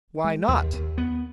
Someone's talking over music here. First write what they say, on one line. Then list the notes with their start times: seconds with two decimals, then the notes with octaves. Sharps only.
Why not?
0.24 G#3
0.48 D#2
0.73 D#2
0.98 B3